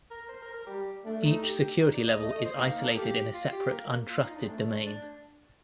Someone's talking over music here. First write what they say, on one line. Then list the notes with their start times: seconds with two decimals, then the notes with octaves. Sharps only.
Each security level is isolated in a separate untrusted domain.
0.10 A#4
0.28 C5
0.42 A#4
0.54 A#4
0.66 G3 G4
1.04 A3 D4
1.25 D#4
1.43 G4
1.81 D#4
1.93 D5
2.07 D#5
2.20 A3 D#5
2.32 D#5
2.45 C5
2.57 A#3 D#4
2.70 D#4
2.83 A4
2.95 G4
3.34 F4
3.52 G4
3.71 A#3 A#4
4.10 F4
4.23 D#4
4.35 D4
4.43 C4
4.48 A3 D4
4.86 D4